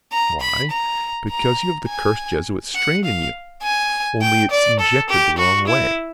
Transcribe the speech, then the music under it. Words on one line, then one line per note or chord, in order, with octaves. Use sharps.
Why? Because you have the cursed jesuit strain in you, only it's injected the wrong way.
A#5
B5
A#5
A#5
G#5
F#5
F5
G#5
G5
D5
A4
G4
F#4
E4